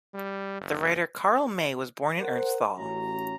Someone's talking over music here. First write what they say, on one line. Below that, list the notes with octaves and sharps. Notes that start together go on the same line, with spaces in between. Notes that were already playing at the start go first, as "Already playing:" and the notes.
The writer Karl May was born in Ernstthal.
G3
F#1
A#4 C5 F#5
A1 C#4 F#4 A#5